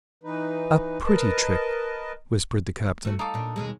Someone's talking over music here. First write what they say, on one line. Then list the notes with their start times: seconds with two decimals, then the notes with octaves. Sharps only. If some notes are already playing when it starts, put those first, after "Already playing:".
"A pretty trick," whispered the captain.
0.24 E3 D#4 B4
1.05 A#4 B4 D#5 A5
3.05 A3 F#4
3.19 D#4 A4 F5 D6
3.34 A#2 D4
3.56 D#2 B2 G#3